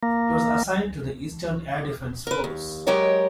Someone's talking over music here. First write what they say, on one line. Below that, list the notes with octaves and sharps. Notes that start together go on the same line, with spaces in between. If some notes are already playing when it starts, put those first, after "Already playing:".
It was assigned to the Eastern Air Defense Force.
A#3
A#4 B4
D#2
F#3 G#3 G4 A#4 C#5 D#5